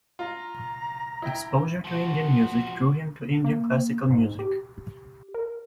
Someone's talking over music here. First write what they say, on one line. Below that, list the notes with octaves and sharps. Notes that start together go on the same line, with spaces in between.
Exposure to Indian music drew him to Indian classical music.
F4 A#5
E4 G5
F3 F#4
A#3
G#2
G4
A#4